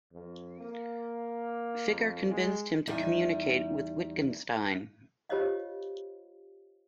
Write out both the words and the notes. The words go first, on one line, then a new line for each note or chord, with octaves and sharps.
Ficker convinced him to communicate with Wittgenstein.
F2
A#3
F2
G#3
E2 G3 D#4 E5 G#5
F4 G4 C5 C#5 D#5 F5